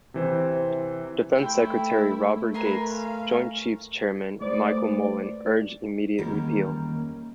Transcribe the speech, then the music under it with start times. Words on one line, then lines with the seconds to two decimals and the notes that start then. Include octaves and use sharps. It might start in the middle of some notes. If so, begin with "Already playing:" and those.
Defense Secretary Robert Gates, Joint Chiefs Chairman Michael Mullen urged immediate repeal.
0.14 C3 E3 C5
1.38 A3 E4 G5 C6
2.54 A#4 B4 G#5 C6
2.91 F5
4.41 G2 A3 B3 C5 D5
6.18 E2 D#3 G3 A#3 C#4